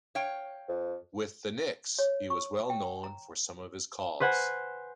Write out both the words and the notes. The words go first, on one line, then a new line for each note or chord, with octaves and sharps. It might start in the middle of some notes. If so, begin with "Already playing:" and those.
With the Knicks, he was well known for some of his calls.
C#5 F5 G5
F2
C#5
C#6
G5
A#5
B4 C5 F#5 G#5